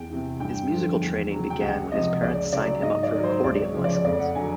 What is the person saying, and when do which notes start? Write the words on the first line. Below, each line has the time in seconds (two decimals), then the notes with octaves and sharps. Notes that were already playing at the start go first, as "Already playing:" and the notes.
His musical training began when his parents signed him up for accordion lessons.
Already playing: E2 G5
0.10 C3 E3
0.40 G2 G5
0.70 D3 F3
1.01 E2
1.32 C#3 F#3
1.50 G5
1.61 C#2 F#5
1.92 C3 F3 D#5
2.22 C#2 D5
2.53 C#3 F#3 D5
2.83 G#2 D#5
3.03 D5
3.13 D#3 F#3
3.24 C5
3.44 C#2 D5
3.64 C#5
3.74 C#3 F3
3.84 D5
4.05 F2 D5
4.19 F#5
4.35 D3 F#3 G#5